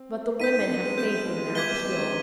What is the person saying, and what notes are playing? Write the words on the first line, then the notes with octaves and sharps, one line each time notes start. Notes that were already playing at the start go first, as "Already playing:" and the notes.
But the women had faith in their appeal.
Already playing: C4
C4 D#4 G6 B6 D#7
B3 D4
G#3 C4
G3 B3 G6 B6 D#7
F3 G#3
G3
F3 G#3 D6 G#6 B6 D#7 G7
G3 B3
G#3 C4
B3 D4